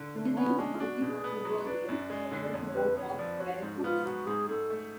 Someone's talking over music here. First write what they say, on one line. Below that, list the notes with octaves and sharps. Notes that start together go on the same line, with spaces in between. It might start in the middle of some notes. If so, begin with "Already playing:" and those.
It is used mostly for football games and is the home of Veracruz.
Already playing: D3
D3 A3
A3
B3 C#4
G#3 D4
F4
D4 F#4
B2
G#4
B3
G#4
F#3
D4 B4
F#2 C#5
D5
G#3
C#5
D3
D5
F2 C#5
C#5
F2 B4
B3 C#5
F3 D5
F#4 C#5
G#2
D4
B3 F4
F#3 F#4
G#2 G#4
G#2 A4
A3